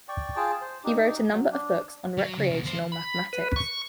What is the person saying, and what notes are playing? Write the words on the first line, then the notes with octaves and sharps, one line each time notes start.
He wrote a number of books on recreational mathematics.
D5 G5 C#6
F4 G#4 G5 A5
C5
D4 D#4 G4
F#3
D4
F#3
C#3
C2 B2
D#2 C5
B5
B4
C#6